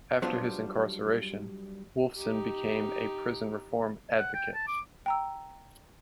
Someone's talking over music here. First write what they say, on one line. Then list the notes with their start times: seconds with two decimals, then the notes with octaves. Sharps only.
After his incarceration, Wolfson became a prison-reform advocate.
0.22 F#3 G3 B3 D4 F4 C5
2.17 D#4 G4
4.18 F#5
4.34 G5
4.54 A5
4.67 D6
5.06 G5 A#5 E6